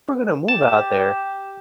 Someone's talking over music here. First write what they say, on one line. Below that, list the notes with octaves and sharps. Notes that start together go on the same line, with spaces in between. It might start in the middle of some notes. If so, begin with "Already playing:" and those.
we’re gonna move out there.
G4 A5